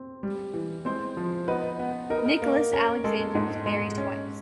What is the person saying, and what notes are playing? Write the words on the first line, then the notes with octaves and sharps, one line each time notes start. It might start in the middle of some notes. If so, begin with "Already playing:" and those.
Nicholas Alexander was married twice.
Already playing: C4
G3
E3
G#3 C4 C5
F3
B3 D#4 B4
B3
D#4 A#4
B4
A#4
A#3
C#4 A#4
G#3 A4
G#2
G#3
C#4